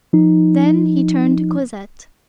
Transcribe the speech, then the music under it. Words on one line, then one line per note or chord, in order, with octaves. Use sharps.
Then he turned to Cosette.
F3 D#4